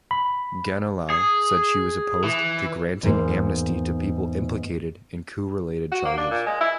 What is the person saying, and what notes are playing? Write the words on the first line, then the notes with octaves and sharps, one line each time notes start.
Ganilau said she was opposed to granting amnesty to people implicated in coup-related charges.
B5
G#4
E3
E2 G#2 A#3
F#4
A#3
D4
A#2
G#3
E4